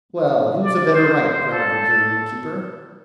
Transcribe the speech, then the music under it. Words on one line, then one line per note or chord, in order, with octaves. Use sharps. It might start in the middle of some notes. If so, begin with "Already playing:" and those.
"Well, who's a better right?" growled the gamekeeper.
D5
C5
C5
A4